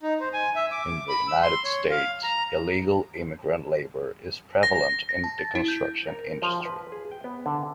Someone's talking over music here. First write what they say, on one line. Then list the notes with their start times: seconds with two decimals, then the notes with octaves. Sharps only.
In the United States, illegal immigrant labor is prevalent in the construction industry.
0.03 D#4
0.20 C5
0.34 G#5
0.56 E5
0.71 D6
1.09 B5
1.28 E6
1.43 C6
1.64 C#5
1.91 F5
2.23 A#5
4.63 A#6
5.09 A#6
5.24 A5
5.39 A6
5.55 E4
5.68 G6
6.07 A#4
6.42 F3
6.65 B4
6.92 G#4
7.11 G5
7.24 B3
7.46 D3